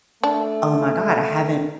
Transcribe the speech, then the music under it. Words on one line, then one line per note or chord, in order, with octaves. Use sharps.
"Oh my god. I haven't"
A3 D4